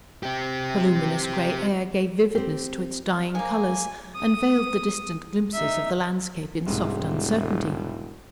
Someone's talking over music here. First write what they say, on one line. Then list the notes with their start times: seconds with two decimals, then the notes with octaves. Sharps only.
The luminous grey air gave vividness to its dying colours, and veiled the distant glimpses of the landscape in soft uncertainty.
0.23 C4 G4
2.35 C4 G4
3.35 F3 A#3 G#5
4.15 D#6
5.53 D#4 E5
6.66 E1 C2 G#2 C3